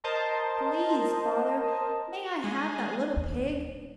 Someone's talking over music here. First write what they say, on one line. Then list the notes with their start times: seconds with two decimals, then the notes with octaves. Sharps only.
"Please, Father, may I have that little pig?"
0.04 A#4 C5 D#5 A5
2.44 G#3
3.16 D#2
3.45 D#1